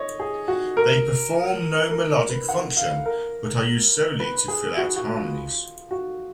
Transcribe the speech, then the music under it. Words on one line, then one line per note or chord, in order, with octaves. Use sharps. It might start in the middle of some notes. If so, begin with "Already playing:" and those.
They perform no melodic function, but are used solely to fill out harmonies.
Already playing: C#5 D#5
G#4
F#4
A#4
A#4
A#4
B4
F#5
F5
A#4
B4
G#4
F#4
F#4
F4
F#4